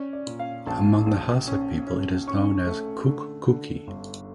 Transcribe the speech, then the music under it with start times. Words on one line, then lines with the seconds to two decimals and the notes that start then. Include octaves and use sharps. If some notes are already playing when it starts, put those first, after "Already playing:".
Among the Hausa people it is known as Kukkuki.
Already playing: C#4 D5
0.13 D5
0.26 A#2
0.39 F5
0.67 A#1 A5
1.06 A#1
1.47 C#4
1.87 C#4
2.28 C#4 C#6
2.67 A3
3.07 D3
3.47 D3
3.87 G1